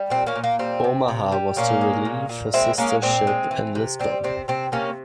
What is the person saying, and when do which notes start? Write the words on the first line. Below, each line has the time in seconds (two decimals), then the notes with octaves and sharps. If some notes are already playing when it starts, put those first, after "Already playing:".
"Omaha" was to relieve her sister ship in Lisbon.
Already playing: G3
0.10 A#2 C4
0.27 A#3 C#4
0.35 A#2
0.44 A#3
0.59 G3 C4
0.84 C3
1.08 C3
1.32 G3
1.56 A#2 A#3 C#4
1.81 G#3
2.05 A#2
2.29 A#2
2.54 G#3 C4 E4
2.78 G#3 A#3 C#4
3.02 A#2 C4
3.27 G#3
3.51 E3
3.75 C3
3.99 G3 C4
4.24 C3 C4
4.48 C3 C4
4.72 C3 A#3 C#4